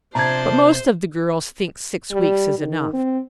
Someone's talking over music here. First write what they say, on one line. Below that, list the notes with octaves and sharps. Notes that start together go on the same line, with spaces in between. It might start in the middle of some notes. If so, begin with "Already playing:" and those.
"But most of the girls think six weeks is enough."
C3 F3 D4 C5 A5 A#5 G#6
G3
D#3
C4